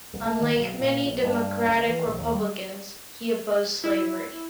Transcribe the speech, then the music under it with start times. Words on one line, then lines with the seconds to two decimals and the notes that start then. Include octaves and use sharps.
Unlike many Democratic-Republicans, he opposed slavery.
0.13 C2
0.26 A3
0.40 D#3
0.55 B1
0.80 A#2
1.05 A#1
1.23 G2
1.65 C#2
1.87 E3
2.05 A#1
2.18 D#2
2.33 G3
3.84 E4